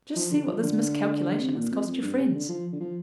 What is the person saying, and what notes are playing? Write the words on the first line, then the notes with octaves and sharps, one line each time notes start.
Just see what this miscalculation has cost your friends!'
F3
D3
F3
D3
C3
A#2
F2
F2
G2
C3
D3
F3
D3
F3